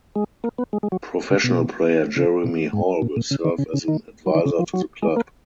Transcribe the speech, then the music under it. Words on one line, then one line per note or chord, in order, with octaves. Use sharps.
Professional player Jeremy Hall will serve as an advisor to the club.
G#3
A#3
B3
G#3
G#3
F#3
C#3
B2
C#3
B2
G#2
A#2
A#2
C#3
D#3
C#3
C#3
D#3
F#3
D#3
C#3
F3
F#3
G#3
A#3